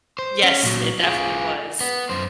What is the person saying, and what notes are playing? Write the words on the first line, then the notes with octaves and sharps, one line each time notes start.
Yes, it definitely was.
C5
C#4
A#2 F#3
F4 G#4
B3
F#2 C5